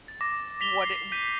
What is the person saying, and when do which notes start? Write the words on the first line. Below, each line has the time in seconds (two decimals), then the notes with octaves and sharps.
what it w w
0.08 A6
0.21 D6 A#6
0.61 B6 F7 G7
0.85 C7
1.12 G6 B6 D#7